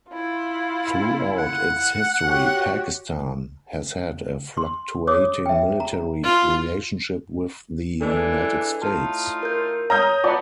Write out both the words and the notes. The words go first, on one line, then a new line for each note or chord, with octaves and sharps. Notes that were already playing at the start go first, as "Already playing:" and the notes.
Throughout its history, Pakistan has had a fluctuating military relationship with the United States.
E4 F4
F#5
F#4 G4 C#5
C6
C#5 D6 D#6
E5 G5
A#5
F4
E3 G#3 D4 A4
A2 D#4 F4 A5
A#4 G6
C#5 A#5 D#6 G6
B3 F4 D5 D#5 F#5 A5